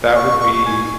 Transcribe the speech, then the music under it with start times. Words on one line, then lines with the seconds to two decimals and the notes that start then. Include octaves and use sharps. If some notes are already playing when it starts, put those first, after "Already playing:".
that would be
0.15 C#6
0.40 C#6
0.65 G#5